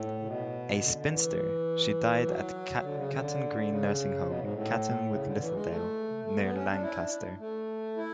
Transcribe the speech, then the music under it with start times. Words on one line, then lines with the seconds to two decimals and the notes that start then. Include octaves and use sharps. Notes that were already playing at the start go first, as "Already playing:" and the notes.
A spinster, she died at Caton Green Nursing Home, Caton-with-Littledale, near Lancaster.
Already playing: A2
0.20 C#3
0.25 B2
0.81 D3
0.95 D3
1.10 E3
2.25 F#3
2.81 D3
2.96 C#3
3.11 D3
3.67 C#3
4.25 B2
4.39 G#2
4.52 A2
5.10 C#3
5.24 D3
5.39 E3
5.53 G#3
5.68 A3
6.24 A3
6.39 B3
6.53 C#4
6.68 D4
6.82 E4
6.95 D4
7.39 A3
7.97 E4